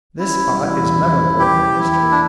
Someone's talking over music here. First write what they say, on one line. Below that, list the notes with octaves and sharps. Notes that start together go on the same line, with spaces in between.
This spot is memorable in history.
C#4 E4
G3
E3 E4
E2
C#4
G3
E3 G4
E2
E2 E4
A#3
D4